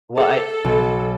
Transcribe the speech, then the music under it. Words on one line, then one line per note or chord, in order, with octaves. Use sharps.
well, I
G#4 A4
B1 F#4